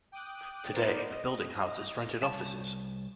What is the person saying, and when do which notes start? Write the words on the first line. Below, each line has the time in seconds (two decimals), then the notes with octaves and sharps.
Today the building houses rented offices.
0.12 G5 D6 D#6 F#6
0.72 B3 D#4 A#4 C5 D5
1.09 D#5
2.22 C2 A5